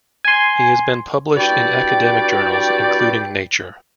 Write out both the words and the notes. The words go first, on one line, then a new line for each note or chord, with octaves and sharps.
He has been published in academic journals including "Nature".
G#5 C6
G2 E4 F#4 D5 G5